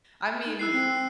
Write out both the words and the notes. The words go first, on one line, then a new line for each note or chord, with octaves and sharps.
I mean y
D#4
E4 E6 F#6 C7
C4